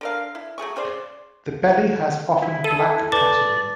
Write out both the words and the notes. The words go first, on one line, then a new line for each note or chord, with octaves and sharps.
The belly has often black patterning.
D3 A#4 F5
E4
F#3 A3 G#4 C#6
C#3 G#4 C5 D5
E4
A4 D#7
B4 D5 A5 D6